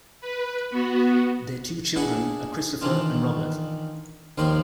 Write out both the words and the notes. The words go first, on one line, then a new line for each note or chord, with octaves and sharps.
Their two children are Christopher and Robert.
B4
B3 F#4
D4 E4 G#4 F#5
D#3 E3 D4 F4
D#2 D#3 F3 G3 A#4 C6